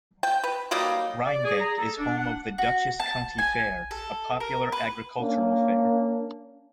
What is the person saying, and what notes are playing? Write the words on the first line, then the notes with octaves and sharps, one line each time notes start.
Rhinebeck is home of the Dutchess County Fair, a popular agricultural fair.
G5
B4
F#3 G3 A#3 D#4
D5
G#4
A#5
A4
D4
F#5
F#4
A5
G#5
A4
A#4
B4
A#3 C#4 D4